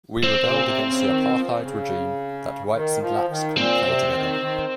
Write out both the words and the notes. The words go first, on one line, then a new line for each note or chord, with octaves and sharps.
We rebelled against the apartheid regime that whites and blacks couldn't play together.
C4
A#2
C3
C#3
D#3
F3
C#3
D#3
F3
D#3
A#2 C4
C3
D#3
D#3